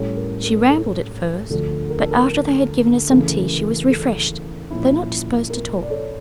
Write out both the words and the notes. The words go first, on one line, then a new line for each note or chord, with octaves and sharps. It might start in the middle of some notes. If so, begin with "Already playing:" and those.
She rambled at first; but after they had given her some tea she was refreshed, though not disposed to talk.
Already playing: A2 G3 C#4 E4 A4 C#5
A#4
A#4
A4
D2 D3 F3 A3
A#4
A4
A#4
C#3 E3 A3
A4
A#2 F3 C#4 E4
A#4
D5
A4 C#5